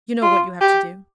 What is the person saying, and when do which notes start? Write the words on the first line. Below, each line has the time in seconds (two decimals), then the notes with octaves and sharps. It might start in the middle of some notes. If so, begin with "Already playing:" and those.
You know what you have to do.
0.22 F4
0.61 G4